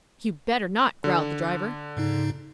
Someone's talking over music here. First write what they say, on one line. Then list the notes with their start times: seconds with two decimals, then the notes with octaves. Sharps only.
"You'd better not," growled the driver.
1.04 D3
1.97 G#2 C#3 D#4